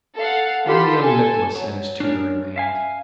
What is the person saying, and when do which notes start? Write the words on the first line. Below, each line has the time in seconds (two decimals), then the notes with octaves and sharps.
Only young Nicholas and his tutor remained.
0.17 A4 F5 F#5
0.64 F4 G4 A4 B5 C6
1.00 A4 G#5
1.55 F#3 A5
2.00 C#4 D4 A#4
2.56 E5 F5 G#5